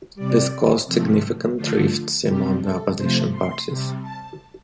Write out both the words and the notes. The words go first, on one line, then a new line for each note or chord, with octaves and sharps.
This caused significant rifts among the Opposition parties.
C3 G3 D5
C3 F3 A3
D3 F3 A3 F4
C3 G3 G4
A4
C3 F3 A3 C5
C6
C3
G3
A5